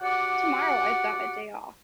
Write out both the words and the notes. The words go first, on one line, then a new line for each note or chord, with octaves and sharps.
Tomorrow I’ve got a day off.
F#4 G4 D5 F#5